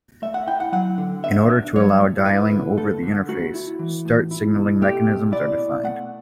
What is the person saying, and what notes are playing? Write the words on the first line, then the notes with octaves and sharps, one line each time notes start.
In order to allow dialing over the interface, "start" signaling mechanisms are defined.
A3 E5
F#5
E4 G5
F#5
F#3 F#5
D3
B3 E5
D4
F#3 C#5
A2
E4 B4
D3
A3 A4
D3
A3 F#4
E4
E3
A2
E4
B2
A3 G4
B2
E4 D5
B2
A3 F#5